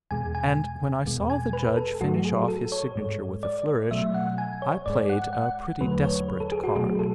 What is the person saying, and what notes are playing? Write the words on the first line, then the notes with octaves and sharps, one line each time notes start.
And when I saw the judge finish off his signature with a flourish, I played a pretty desperate card.
E2 B2 G#3 G#5
G#5
E2 B2 G#3
G#5
B4
A4
G#2 F#3 A3 F#4
G#4
A4
C#5
G#2 G#3
D5
B2 F#3 A3 E5
F#5
G#5
C#5
G#2 G#3 D5
F#5
F#5
E2 D3 F#3 A3 B4
C#5
B4
A4
G#4
F#4
B2 F#3 A3 G#4
A4